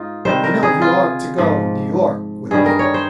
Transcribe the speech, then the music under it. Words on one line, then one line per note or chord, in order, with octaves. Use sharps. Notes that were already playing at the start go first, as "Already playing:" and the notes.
"You know you are to go New York with me?"
Already playing: G#2 D#4 F4
C3 D#3 G3 C5
A#4
G#4
F4
G#2 F3
G2 D#3 G3 G#4
A#4
C#5
C5